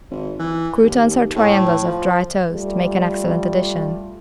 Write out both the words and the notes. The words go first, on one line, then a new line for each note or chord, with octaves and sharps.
Croutons or triangles of dry toast make an excellent addition.
G#1
E3
D#2
A2
F3
G3 A3 F4